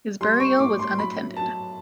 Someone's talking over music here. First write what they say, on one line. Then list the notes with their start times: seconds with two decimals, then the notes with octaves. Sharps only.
His burial was unattended.
0.21 G3 C6
0.40 C#6
0.59 A2 D6
0.79 C6
0.98 F#3 B5
1.36 F#3 A5